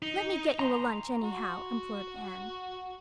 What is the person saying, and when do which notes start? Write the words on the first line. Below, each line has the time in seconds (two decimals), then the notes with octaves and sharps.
"Let me get you a lunch anyhow," implored Anne.
0.02 D#4
0.59 A#5 C6
1.23 F#4